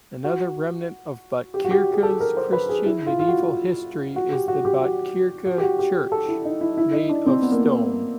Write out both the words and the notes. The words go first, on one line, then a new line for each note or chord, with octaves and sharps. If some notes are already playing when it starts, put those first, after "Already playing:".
Another remnant of Botkyrka's Christian medieval history is the Botkyrka church, made of stone.
F#4
G4
F#4
G4
G#4
A4
A#4
C5
B4
G#4
E4
F4
F4
F#4
F#4
G4
F#4
G4
F#4
F#4
G4
F#4
G4
A4
E4
D#4
E4
E4
D#4
D4
C4
B3
A#3
B3